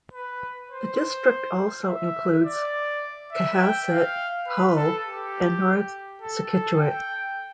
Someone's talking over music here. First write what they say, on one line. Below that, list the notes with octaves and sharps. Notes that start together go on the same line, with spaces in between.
The district also includes Cohasset, Hull and North Scituate.
B4
C5
E5
D5
E5
G5
F5
B4
A4
G4
A4
A4
G5